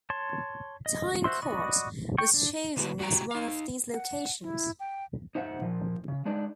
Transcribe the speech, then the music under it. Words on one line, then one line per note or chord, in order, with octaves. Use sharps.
Tyne Cot was chosen as one of these locations.
C#5 A5 C6
D#5
F#4 C5 E5 C6
F#4 D5 D#5 B5 C#6
G5 C#6
D4
D3 A#3 E4 F#4 B4
A2 F#4 G4 F#5 G5 A#5
D#4 F5
F#5
E4
G5
D#4 C5 E5 F#5
A#2 F3
C#3
G#3 D4 D#4 G#4 D5